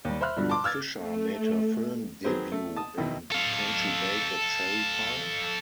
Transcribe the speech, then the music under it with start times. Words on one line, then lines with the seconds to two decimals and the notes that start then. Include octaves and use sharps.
Fisher made her film debut in Can She Bake a Cherry Pie?
0.05 D#2 G3
0.21 C5 E5 B5 F6 F#6
0.37 G2 B2 D3 F3 G3
0.50 A5 C6 D6
0.64 E6 F6 G#6 A6
1.01 A3
2.24 D#3 F#3 B3 C4 G#4 C5
2.52 A3
2.76 A5 D#6
2.97 D#2 B2 D#3 F#3 E4 G5
3.32 A4 F5